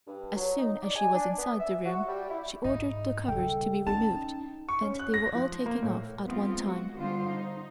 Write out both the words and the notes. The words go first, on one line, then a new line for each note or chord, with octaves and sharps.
As soon as she was inside the room, she ordered the covers to be removed and they were all taken off at one time.
G2
F#3
D#4
D5
G#5
D4
B3
E5
F#4
G3
E4
G#2 D#4
C#3 G3 A4 G5
C#4 D#4 A5
C#6
C#4
F#6
A#6
F3
A#3
A2
F3 G#3 B3 C4 F4
F#4
D3 G3 B3 F4 C5
D#4